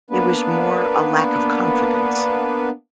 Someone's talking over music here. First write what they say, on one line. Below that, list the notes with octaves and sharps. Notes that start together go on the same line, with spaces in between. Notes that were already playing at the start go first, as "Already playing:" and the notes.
It was more a lack of confidence.
A#3 B3 D4 B4